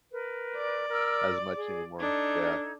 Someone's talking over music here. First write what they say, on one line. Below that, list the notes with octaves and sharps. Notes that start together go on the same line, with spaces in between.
as much anymore. Yeah.
A#4 B4
D5
A#4 E6 F6
G#4
D4 D#4 A4 G#6